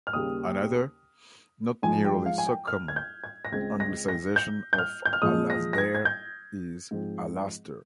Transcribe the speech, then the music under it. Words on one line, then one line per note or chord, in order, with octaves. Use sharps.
Another, not nearly so common, Anglicisation of "Alasdair" is "Allaster".
F6
D#2 C#3 G3 A#3 D#6
G#2 F3 G#3 G#5
G5
F5
G#5
G5
F6
G#6
G6
G#6
A#6
C#2 C#3 G#3 C4 G#6
A#6
A#6
G6
G6
F6
G6
F6
A#2 F3 G#3 D#6
A#6
A#6
G#6
G#6
G6
G#2 F3 C4